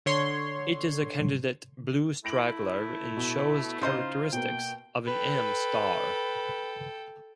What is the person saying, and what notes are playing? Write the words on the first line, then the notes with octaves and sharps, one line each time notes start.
It is a candidate blue straggler and shows characteristics of an Am star.
D3 C#5 C6
A3 E4 A#6 D7 F#7
B2
C#3 D#4 F4 C5 D#5 C6 C7
B2 A#3 G5
A4 B4 G5